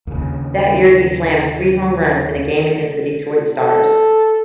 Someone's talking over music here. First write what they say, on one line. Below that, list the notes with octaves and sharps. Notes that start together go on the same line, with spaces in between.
That year he slammed three home runs in a game against the Detroit Stars.
D#2 C#3
A4